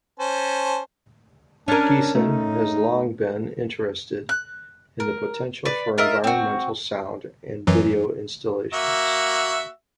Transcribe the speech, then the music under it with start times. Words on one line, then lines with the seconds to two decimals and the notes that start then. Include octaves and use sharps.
Geesin has long been interested in the potential for environmental sound and video installations.
0.20 C#4 C5 A5
1.68 C#4 D4 A#4
2.15 A3 D#4
4.29 F#6
5.00 A#4
5.65 B4 D5
5.98 F4 A#4 D#5 E5
6.24 C4 F#4
7.67 F#2 E3 F#3
8.73 A#3 F#4 E5